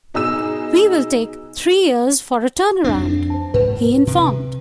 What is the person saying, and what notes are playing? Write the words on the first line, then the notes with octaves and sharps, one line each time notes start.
"We will take three years for a turnaround," he informed.
B2 D#4 G#4 E6 E7
F2 C4 D4
C5 A5
G#2 B4
C3